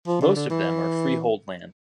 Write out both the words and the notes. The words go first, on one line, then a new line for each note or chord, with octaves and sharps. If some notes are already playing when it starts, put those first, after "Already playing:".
Most of them are freehold land.
F3
D3
D3
E3